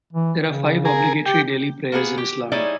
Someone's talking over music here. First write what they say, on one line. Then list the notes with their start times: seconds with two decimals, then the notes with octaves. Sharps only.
There are five obligatory daily prayers in Islam.
0.12 E3
0.45 C#3
0.85 G#4 A#4
1.26 G4 G5
1.92 A#3 B3 G#4
2.18 G4
2.52 G3 D#4 E4 G#4 C#5 D5